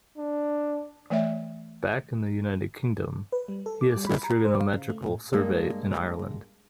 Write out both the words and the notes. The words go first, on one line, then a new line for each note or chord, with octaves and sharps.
Back in the United Kingdom, he assisted in the trigonometrical survey in Ireland.
D4
E3 A3 C#5 E5
B4
G3
A4
D6
G3
B5
A#5
C5
F5
C#3
A3
A2
G2 G#3 A#3